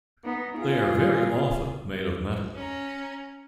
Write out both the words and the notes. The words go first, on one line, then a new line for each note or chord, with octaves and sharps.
They are very often made of metal.
B3 D#4
F4 G#4
C#4 A#5